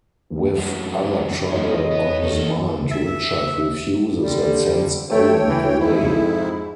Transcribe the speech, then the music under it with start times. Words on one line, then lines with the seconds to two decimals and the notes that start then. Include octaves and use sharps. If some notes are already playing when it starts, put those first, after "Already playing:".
With other trouble on his mind, Richard refuses and sends Owen away.
0.56 F#2 A2
1.50 G#2 F3 C#5 D#5
1.91 B3
2.22 D#3 A4
2.91 E5
4.21 D3 G3
5.11 A3 C#5 G5
5.46 E3
5.78 F2 G#2 E4